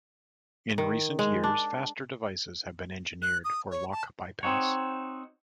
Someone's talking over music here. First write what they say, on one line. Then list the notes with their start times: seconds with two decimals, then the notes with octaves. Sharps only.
In recent years faster devices have been engineered for lock bypass.
0.78 D#3
1.19 G#3
1.44 D4
3.22 F#6
3.45 D#6
3.71 C#5
3.92 A5
4.43 C4 D#4 F#4 C#5